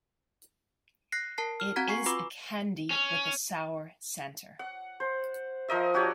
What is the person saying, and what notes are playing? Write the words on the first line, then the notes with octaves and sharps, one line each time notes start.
It is a candy with a sour centre.
F#6 A#6 C7
A#4 A5 C7
F6
C4 F#4 F#5 A#5 G#6 B6
G#5 C#6 C7
F4 B4 B5 D6 E6
C#4
F#5
C5
F3 A#4 D#5 E5
D4 F#4 G4 C#5